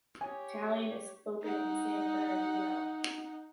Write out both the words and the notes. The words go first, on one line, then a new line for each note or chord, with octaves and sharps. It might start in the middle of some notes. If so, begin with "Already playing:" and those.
Italian is spoken in San Bernardino.
G4 C#5 G#5
D#4 F#5